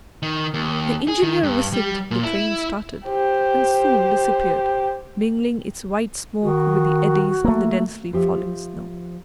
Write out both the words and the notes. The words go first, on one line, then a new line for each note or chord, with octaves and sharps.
The engineer whistled, the train started, and soon disappeared, mingling its white smoke with the eddies of the densely falling snow.
D#3
D#2
G#4
D#3
G2
G3
A#2
E4
G4 C5
D#3 F#4
A3 A#3
F3 G4 E5